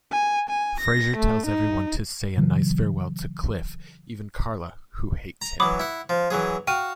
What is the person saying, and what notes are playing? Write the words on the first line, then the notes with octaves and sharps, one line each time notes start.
Frasier tells everyone to say a nice farewell to Cliff-even Carla, who hates him.
G#5
G#5
A#6
A3
D#4
A#2 C#3 E3 F#3
A#5
E3 F#3 B5 D6 D#6
E4 F#5
F3
E3 F#3 G#4
F#4 F5 G5 D#7